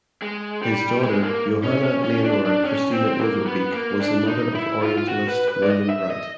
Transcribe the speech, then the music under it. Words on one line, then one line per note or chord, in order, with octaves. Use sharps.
His daughter Johanna Leonora Christina Overbeek was the mother of orientalist William Wright.
G#3
G3
G#3
A#3
C#4
C#4
C#4
D4
D4
C#4
C4
A#3
B3
A#3
D4
D#4
E4
F4
F4
F#4
B4
B4
D5
D#5
E5
D#5